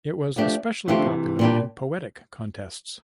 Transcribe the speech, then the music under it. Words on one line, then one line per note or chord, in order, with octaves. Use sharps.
It was especially popular in poetic contests.
F3 A3 D4 G4
E3 F3 A3 C4 G4
D3
C3 E3
A#2 G3 D4 G4